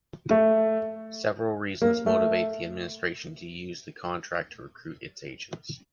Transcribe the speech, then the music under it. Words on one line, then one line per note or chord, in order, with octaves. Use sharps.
Several reasons motivates the administration to use the contract to recruit its agents.
A3
A#3
A3